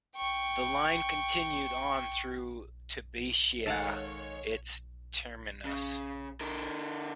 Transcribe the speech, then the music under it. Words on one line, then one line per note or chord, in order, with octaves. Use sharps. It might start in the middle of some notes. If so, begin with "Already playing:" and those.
The line continued on through to Bishia its terminus.
G5 C#6
D#3 G#3 A4 C#5 F5 F#5
C#3
D3 A#4